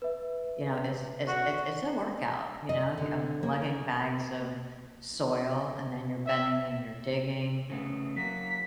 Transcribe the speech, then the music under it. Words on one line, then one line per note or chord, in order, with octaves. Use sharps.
you know, is is it's it's a workout, you know, um, lugging bags of soil, and then you're bending and you're digging,
B4 E5
F#4
D#5
D3
A#3
E5
C#3 A3 B3
F#3 A#3 B6